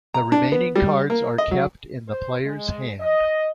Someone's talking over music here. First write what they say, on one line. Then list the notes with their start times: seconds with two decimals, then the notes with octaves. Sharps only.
The remaining cards are kept in the player's hand.
0.14 A#5
0.32 D4
0.52 B3
0.76 G3
1.10 A#3
1.38 D#5
1.51 F#3
2.08 C5
2.44 G#3
3.00 D#5